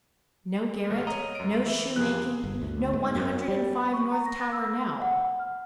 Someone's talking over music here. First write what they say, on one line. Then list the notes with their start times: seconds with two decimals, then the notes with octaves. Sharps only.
No garret, no shoemaking, no One Hundred and Five, North Tower, now!
0.90 A1 C3 F6
1.07 C#5 D#5 A#5
1.35 F#2 D7
1.66 E3 E5
1.96 F2 C3 E3 G#4 F#6
2.44 G1
2.62 D2
2.93 G#2
3.15 F#2
3.48 G3
3.93 C#6
4.12 A#5
4.26 A#6
4.52 E6
5.02 F#5
5.39 F6